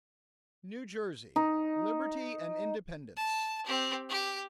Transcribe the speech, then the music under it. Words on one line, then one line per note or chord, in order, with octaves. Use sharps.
New Jersey--Liberty and Independence.
D#4
A5
C4 G4
G4